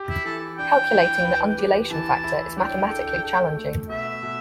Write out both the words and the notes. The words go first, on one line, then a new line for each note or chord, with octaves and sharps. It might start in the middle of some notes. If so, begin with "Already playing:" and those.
Calculating the undulation factor is mathematically challenging.
Already playing: G4
E4
E3 A4
D4 G5
E3
B4
G4
E3 A5
E4
D4 G5
A4
A4
A3
B2 E5
B2